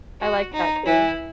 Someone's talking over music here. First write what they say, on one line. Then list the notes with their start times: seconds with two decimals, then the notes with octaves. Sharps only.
I like that, too.
0.21 F#4
0.53 D#4
0.86 E3 E4